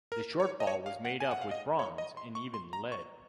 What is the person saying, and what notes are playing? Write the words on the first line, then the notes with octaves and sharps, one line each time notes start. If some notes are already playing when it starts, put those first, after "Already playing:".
The shortfall was made up with bronze and even lead.
A#4
C#5
D#5
C#5
F5
F#5
G#5
F#5
F5
D#5
C#5
D#5
C6
C#6
C6
A#5
C#6